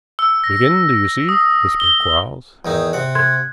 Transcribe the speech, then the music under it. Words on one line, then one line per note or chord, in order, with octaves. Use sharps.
"Wigan, do you see?" whispered Quarles.
E6
A#6
D#6
G7
E2 D#3 D#4
C3 F#5
C6 F#6 G#6